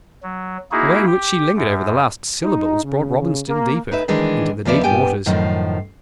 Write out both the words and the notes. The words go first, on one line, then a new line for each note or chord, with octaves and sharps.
The way in which she lingered over the last syllables brought Robin still deeper into the deep waters.
F#3
A#3 D#4 E4 F#4 G#4
G4
F#2
D#4
C#3
A#3
D#4 B4 E5
D#3 E3 G#3 D4
D#2 F3 B3 D5 E5
G2 B3 G4 G5 G#5
F#2 A2 D#3 F3